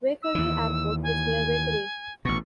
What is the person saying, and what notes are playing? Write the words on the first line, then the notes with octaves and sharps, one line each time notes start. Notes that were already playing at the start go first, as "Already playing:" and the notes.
Waikerie Airport is near Waikerie.
E6
D#2 E3
G#5
A1 B2 C#6